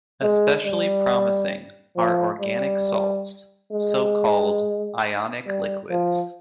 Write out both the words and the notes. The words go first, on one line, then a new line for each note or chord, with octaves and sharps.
Especially promising are organic salts, so called ionic liquids.
G#3
G3
F3
G3
G#3
G3
F3